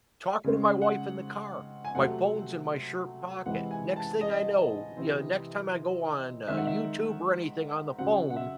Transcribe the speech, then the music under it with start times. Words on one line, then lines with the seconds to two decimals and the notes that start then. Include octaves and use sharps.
talking to my wife in the car, my phone's in my shirt pocket, next thing I know you know, next time I go on, uh, YouTube or anything on the phone
0.44 C#3 G#3 C4
0.82 F#5
1.85 G#5
1.95 C3 F#3 A3 C4 F#5
3.45 C3 E3 G#3 C4 F#5
3.71 G#5
3.96 A5
4.21 D#5
4.97 C3 E3 C4
6.48 D#3 G#3 C4 E5
6.57 F#5
6.67 E5
7.98 C#3 F#3 C4 F#5
8.30 F#5
8.36 E5